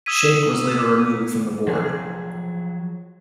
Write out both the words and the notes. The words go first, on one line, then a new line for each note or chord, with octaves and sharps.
Shaikh was later removed from the board.
D#6 E6 G#6 B6 D#7
F3 F#3 G#4